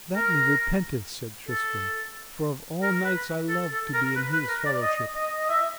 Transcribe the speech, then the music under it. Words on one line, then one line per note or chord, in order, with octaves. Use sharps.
That me repenteth, said Tristram, for of all knights I loved to be in his fellowship.
A#4
A4
A#4
B4
A4
A4
A#4
B4
B4
A#4
D5
D#5
D#5
D#5
E5